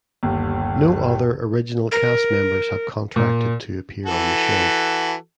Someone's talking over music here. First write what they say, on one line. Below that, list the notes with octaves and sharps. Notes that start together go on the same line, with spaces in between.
No other original cast members have contracted to appear on the show.
G1 D#2
A#4
A#2
E3 F#4 A4